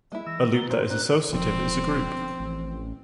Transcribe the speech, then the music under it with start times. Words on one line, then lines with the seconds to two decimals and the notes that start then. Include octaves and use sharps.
A loop that is associative is a group.
0.12 G3 G#3 A#3 E4 E5
0.26 E3 E6 A#6
0.54 E3 B3 A#5 A6 G7
0.70 A2 F#4 C5 A#5
0.90 C4 D4 A#5 F#6
1.33 E1 F3 C4
2.40 A1